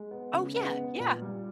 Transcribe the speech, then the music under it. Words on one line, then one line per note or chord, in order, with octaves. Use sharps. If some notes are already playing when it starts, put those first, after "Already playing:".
Oh, yeah, yeah.
Already playing: G#3
B3
C#3
G#3 B3
B3
A#2
G3